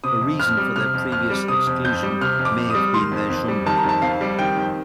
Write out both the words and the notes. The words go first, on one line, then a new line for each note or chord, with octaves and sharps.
A reason for their previous exclusion may have been their genre.
C3 D#6
F2
F2 F6
G3
C3 F6
F2
F2 F6
G3
C3 D#6
F2
F2 G6
G3
C3 F6
F2
D6
F2
G3 D#6
D#3 C6
F2
F2
G3
D#3 A5
A#5
F2 A5
F2 F5
G3
D#3 G5
F2